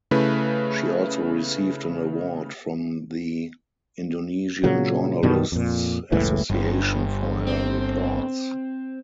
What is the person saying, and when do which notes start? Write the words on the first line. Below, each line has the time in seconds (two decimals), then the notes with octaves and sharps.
She also received an award from the Indonesian Journalists Association for her reports.
0.11 C#3 A3 E4 B4
4.64 A#2 C#3 F#3
5.23 F#2 B2 D#3 G3
5.52 F2 A#2
6.12 F#1 C#2 A2 E3
6.50 G1
7.47 C4